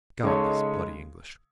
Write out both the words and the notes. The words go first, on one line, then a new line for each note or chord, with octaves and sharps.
God, these bloody English!
C#3 G#3 D#4 A4 C#5